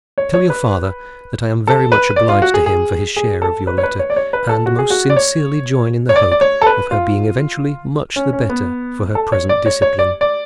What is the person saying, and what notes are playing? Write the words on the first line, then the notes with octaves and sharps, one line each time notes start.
Tell your father that I am very much obliged to him for his share of your letter, and most sincerely join in the hope of her being eventually much the better for her present discipline.
C#5
C#5
B4
A4
B4
D5
F4
F#4
G#4
G#4
G#4
A4
B4
C#5
B4
C#5
D5
C#5
B4
A4
F#4
G#4
F#4
D5
C#5
C#5
D5
D5
C#5
A4
B4
F4
C#4
C#4
B3
A4
C#5
D5
C#5
C#5
D5
D5